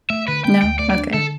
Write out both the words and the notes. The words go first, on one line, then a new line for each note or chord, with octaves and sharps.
No? Okay.
A3 E5
D3 B4
A3 G5
D2 G5
A3 D5
D5
D4
D3 A4